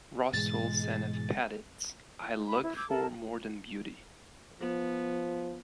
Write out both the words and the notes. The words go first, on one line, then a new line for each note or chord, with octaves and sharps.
Rolston said of Patitz: I look for more than beauty.
G#2 B2 E3 G#3 A6
B5
E4
D6 E6 G6 G#6
A4 A#4 A5
F3 B3